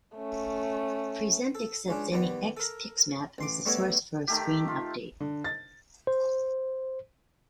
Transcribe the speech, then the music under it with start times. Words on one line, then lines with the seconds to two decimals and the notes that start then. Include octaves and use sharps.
Present accepts any X pixmap as the source for a screen update.
0.16 A3 C#4
1.55 A4
1.88 C#2 C#4 D4
2.12 D#2 G3 B3
2.57 A4 A#4
3.38 A1 C6 D6
3.66 G3 A3 B3 E4 C#5 D#5
4.27 D#3 A3 G4
4.68 F4
5.20 D3
5.44 A6
6.07 C5